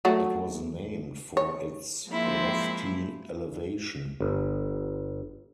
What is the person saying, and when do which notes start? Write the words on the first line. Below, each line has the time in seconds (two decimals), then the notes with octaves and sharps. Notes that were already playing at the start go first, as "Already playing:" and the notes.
It was named for its lofty elevation.
0.05 F#3 A3 F#4
1.37 C#5
2.08 F3 G#3 A#3 C4 E4 F4
4.21 G1